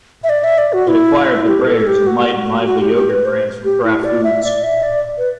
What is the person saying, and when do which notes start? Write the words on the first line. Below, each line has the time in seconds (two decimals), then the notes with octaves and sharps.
It acquired the Breyers and Light 'N Lively yoghurt brands from Kraft Foods.
0.24 E5
0.29 D5
0.44 E5
0.58 D5
0.73 F#4
0.88 E4
1.47 G4
1.67 A4
1.87 G4
2.07 F#4
2.66 F#4
2.81 G4
2.96 G4
3.10 B4
3.25 C5
3.65 G4
3.84 E4
4.04 D5
4.24 E5
4.44 D5
4.63 E5
4.83 D5
5.18 B4